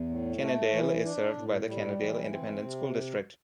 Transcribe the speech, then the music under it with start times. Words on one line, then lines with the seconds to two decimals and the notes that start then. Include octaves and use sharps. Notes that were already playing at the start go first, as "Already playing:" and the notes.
Kennedale is served by the Kennedale Independent School District.
Already playing: E2
0.09 A2
0.41 A3
0.73 E3
1.05 D4
1.36 A2
1.68 G3
2.00 E3
2.32 C4
2.63 C3